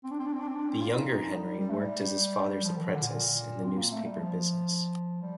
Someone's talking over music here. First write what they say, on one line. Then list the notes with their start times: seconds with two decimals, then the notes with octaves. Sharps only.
The younger Henry worked as his father's apprentice in the newspaper business.
0.04 C4
0.11 D4
0.19 C4
0.26 D4
0.33 C4
0.40 D4
0.48 C4
0.56 D4
0.69 C4
0.81 F4
0.95 D#4
1.08 D#4
1.34 G3
1.59 G3
1.70 A3
1.81 G3
2.64 F3
2.77 D#3
2.88 D3
3.02 A#2
3.64 C4
3.78 A#3
3.92 A3
4.05 G3
4.19 F3
5.21 G3